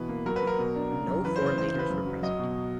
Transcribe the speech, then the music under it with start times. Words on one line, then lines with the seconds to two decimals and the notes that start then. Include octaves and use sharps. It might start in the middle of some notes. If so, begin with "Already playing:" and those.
No foreign leaders were present.
Already playing: B2 E3 B4
0.09 A#3
0.26 F#3 A#4
0.36 B4
0.42 F#3 A#4
0.58 B2
0.75 D4
0.92 C#3
1.08 F#2
1.24 E3 B4
1.36 C5
1.41 C#3
1.46 C5
1.57 E3 C5
1.68 C#3 C5
1.79 B4
1.90 F#2
2.06 F#3
2.22 F#3 D#5
2.39 B2